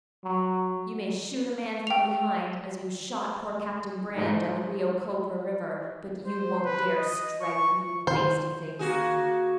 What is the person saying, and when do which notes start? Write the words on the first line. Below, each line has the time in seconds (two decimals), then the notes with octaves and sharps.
You may shoot a man from behind, as you shot poor Captain Brand on the Rio Cobra River, but you won't dare strike me face to face.
0.24 F#3
1.87 G5 F7
4.14 G#2 A3 D#4
6.26 C5
6.64 B4
6.96 D#5
7.42 C#6
8.07 D#3 C5
8.79 A#3 F#4 G#4